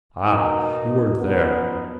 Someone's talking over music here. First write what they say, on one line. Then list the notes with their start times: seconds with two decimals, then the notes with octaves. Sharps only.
Ah, you weren't there.
0.27 B2 A#3 D#4
1.17 F#2 F3 B3 D#4